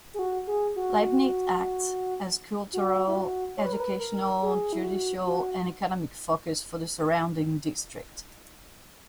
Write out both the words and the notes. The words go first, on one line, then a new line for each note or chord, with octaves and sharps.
Leibnitz acts as a cultural, educational, judicial and economic focus for the surrounding district.
G#4
F#4
G#4
F#4
F#4
E4
F#4
C#5
B4
A#4
B4
A#4
G#4
E4
F#4
F#4